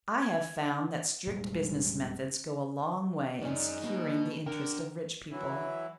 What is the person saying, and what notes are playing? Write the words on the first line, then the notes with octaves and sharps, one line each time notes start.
I have found that strict business methods go a long way in securing the interest of rich people.
G#6
F1 A#2 G3 G#3
F#2 D#3 G#3 C#4 D#4 D5 G#5
A#3 F#4 B4
D3 A#4 G5
E3 F#3 E4